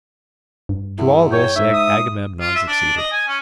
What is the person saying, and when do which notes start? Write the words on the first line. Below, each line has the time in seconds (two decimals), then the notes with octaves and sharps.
To all this Agamemnon succeeded.
0.69 G2
0.98 E2
1.32 C#5 G5
1.56 G#2 E5
1.73 D#6
2.41 F4
2.55 E5
2.68 D4
2.97 D#5
3.12 G#5
3.28 C#4